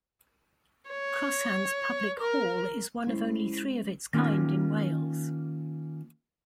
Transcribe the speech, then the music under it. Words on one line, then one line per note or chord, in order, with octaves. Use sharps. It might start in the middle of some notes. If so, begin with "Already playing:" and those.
Cross Hands Public Hall is one of only three of its kind in Wales.
C#5
A#4
G#3 C#4 E4 C5
D#3 A#3 C#4 F4